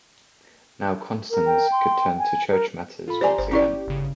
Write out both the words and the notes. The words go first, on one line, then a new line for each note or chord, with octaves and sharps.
Now Constans could turn to church matters once again.
A#4
G5
C6
G#5
A#4
F4 A4 B5
G4 C5 D5 G#5 A#5 C6
G1 C5
C#4 E4 G4 D5
G1 C#3